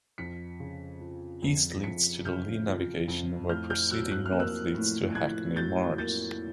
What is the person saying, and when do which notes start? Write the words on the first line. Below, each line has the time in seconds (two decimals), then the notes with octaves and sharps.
East leads to the Lee Navigation where proceeding north leads to Hackney Marshes.
0.18 F2 B6 C#7
0.60 C#3
1.01 F3
1.42 F2
1.84 F2 B6 C#7
2.25 C#3 F6 G6
2.67 F3
3.08 F2
3.49 A2 F6 G6
3.70 F6 G6
3.91 F#3 E6 F#6
4.12 F#6
4.26 F6
4.33 A#3
4.39 E6 F#6
4.74 A2
5.15 A2 F#6 G#6
5.56 F#3 G6 A6
5.98 A#3 G6 A6